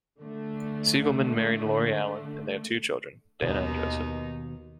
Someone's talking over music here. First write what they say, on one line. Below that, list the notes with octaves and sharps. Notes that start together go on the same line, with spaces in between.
Siegelman married Lori Allen, and they have two children, Dana and Joseph.
D3 A3
D#2 B2 D#3 B3 D#4